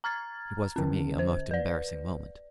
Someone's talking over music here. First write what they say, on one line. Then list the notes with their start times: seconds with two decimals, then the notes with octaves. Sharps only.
It was for me a most embarrassing moment.
0.04 A#5 F6 G#6 A6
0.76 D3 C#4
1.19 C5
1.51 B4 D5